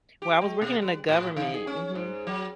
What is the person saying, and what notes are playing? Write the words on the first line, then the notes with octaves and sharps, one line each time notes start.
Well, I was working in the government Mhm.
G4
G#3
B2
G3
A2
D3
G#4
C#4
G#2
F#3